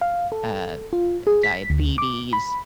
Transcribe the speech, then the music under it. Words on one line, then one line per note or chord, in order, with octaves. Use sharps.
uh, d diabetes.
F5
A4
F4
G#4
B6
D2
D6
B5